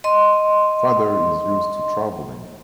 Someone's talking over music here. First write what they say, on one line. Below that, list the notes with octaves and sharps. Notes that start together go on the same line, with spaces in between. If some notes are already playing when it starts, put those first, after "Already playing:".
Father is used to traveling.
D#5 C6